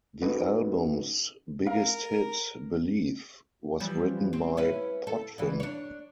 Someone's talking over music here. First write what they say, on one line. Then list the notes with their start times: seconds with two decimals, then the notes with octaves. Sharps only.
The album's biggest hit, "Believe", was written by Potvin.
0.22 C#4 D#4 F#4 A4 B4
1.67 A#4 F5
3.80 E3 F3 G3
4.33 C4
4.57 C#4 E4 B4
5.07 A4
5.38 D2 E3
5.60 D4 C#5